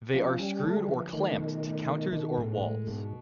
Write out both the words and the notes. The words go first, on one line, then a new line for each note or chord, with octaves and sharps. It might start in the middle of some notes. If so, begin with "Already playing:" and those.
They are screwed or clamped to counters or walls.
F3 C#4
G3 C#4
D3 A3
G3
E3 F3
D#3 A3
B2
A3
B2
B2 D#3
A2 G#3
G#2
A2 G#3
G#2 B2